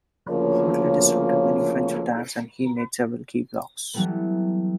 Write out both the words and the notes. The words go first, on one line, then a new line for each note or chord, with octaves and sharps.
Hartley disrupted many French attacks and he made several key blocks.
D2 C#3 F3 A#3 A#4 C#5
E3 F#3 G3 A3 B3